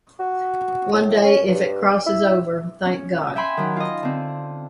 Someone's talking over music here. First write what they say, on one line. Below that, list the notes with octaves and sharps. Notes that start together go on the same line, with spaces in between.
One day, if it crosses over, thank God.
F#4
A2
C#4
G2
E4
C#4
E5 G5 G#5 B5 C6
D#3 F#3
F4 D#5
D3 C4